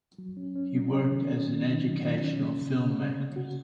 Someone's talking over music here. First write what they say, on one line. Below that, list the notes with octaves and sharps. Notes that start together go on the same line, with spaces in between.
He worked as an educational filmmaker.
F#3
C#4
C#4
F#3
C#4
D#3
C#4
D#3
D#3
F#3
D#3
C#4
A#3
C#3
C#3
C#4
C#3
F#4